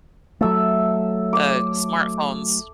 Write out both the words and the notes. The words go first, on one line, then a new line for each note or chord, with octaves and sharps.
the smartphones
F#3 A3 A4 E5
D6